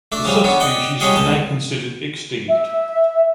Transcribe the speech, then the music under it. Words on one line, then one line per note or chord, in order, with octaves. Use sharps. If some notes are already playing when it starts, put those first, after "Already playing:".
The subspecies is now considered extinct.
A3 D4 D5
C#3 F3 G3
B3 C#4 D4
D5 D#5 F#5 G5
G3 C#4 G4 G#4 D#5 F#5
C#2 D#5 A5
E5